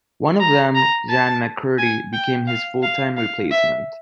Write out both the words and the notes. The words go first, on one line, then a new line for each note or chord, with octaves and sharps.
One of them, Xan McCurdy, became his full-time replacement.
A#5
A#5
A5
G#5
G5
F5
F5
F5
E5